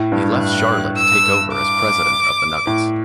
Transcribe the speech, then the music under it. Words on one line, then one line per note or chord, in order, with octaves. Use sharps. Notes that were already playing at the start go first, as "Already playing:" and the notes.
He left Charlotte to take over as president of the Nuggets.
Already playing: A2
G2
F#6
E6
D6
A2